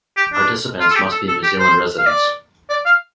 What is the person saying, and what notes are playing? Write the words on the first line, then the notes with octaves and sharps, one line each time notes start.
Participants must be New Zealand residents.
G4
D4
F4
A4
G4
A4
A4
G4
C5
F5
D5
D5
F5